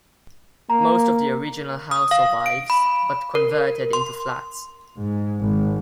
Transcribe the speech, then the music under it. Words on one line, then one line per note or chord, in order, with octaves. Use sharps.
Most of the original house survives, but converted into flats.
A#3 A#5
D#6
F5
D7
B5
A#4
C6
G#2
G#1